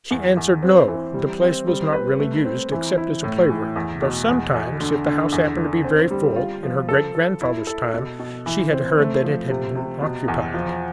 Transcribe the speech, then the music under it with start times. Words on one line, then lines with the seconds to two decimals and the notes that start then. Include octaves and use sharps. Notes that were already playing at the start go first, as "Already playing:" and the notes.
She answered "No," the place was not really used except as a playroom, though sometimes, if the house happened to be very full, in her great-grandfather's time, she had heard that it had been occupied.
0.11 E2
0.37 E2
0.63 C4
0.88 E3
1.14 G3
1.41 C4
1.67 G3
1.93 B4
2.19 A3
2.45 C4
2.72 E3
2.98 E4
3.24 A2
3.50 E3
3.76 E2
4.02 B2
4.28 E2
4.54 E2
4.80 D3
5.06 D3
5.32 E2
5.58 D3
5.84 C4
6.11 G3
6.36 F4
6.63 F3
6.89 A4
7.15 A4
7.42 E4
7.67 A4
7.93 B2
8.19 B2
8.46 E3
8.72 C4
8.98 A3
9.24 F3
9.50 C3
9.75 C3
10.02 B2
10.28 E2
10.54 F3